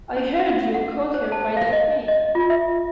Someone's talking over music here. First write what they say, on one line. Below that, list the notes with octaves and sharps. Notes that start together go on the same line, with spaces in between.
I heard you call her by that name.
C#4
F#5
C5
A5
F5
D#5
D#5
F4
E5